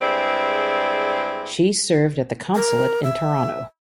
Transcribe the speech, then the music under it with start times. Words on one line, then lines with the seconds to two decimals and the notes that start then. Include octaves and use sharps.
She served at the consulate in Toronto.
0.01 G2 G#3 C4 E4 G#4 D5
2.55 A#4
3.04 E5